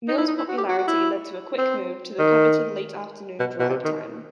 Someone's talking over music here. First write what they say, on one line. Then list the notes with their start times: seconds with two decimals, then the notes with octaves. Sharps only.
Mills' popularity led to a quick move to the coveted late afternoon 'drive time'.
0.08 D#4
0.18 E4
0.28 D#4
0.38 E4
0.49 F#4
0.58 G4
0.68 F#4
0.79 F#4
0.88 E4
1.58 C4
2.19 D#3
3.40 B2
3.60 B2
3.70 C3
3.85 D#3